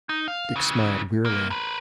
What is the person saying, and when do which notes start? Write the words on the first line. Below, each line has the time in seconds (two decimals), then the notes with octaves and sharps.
Dick smiled wearily.
0.09 D#4
0.28 F5
0.56 C#3 E3
1.26 C2 A#3
1.50 A#4 B4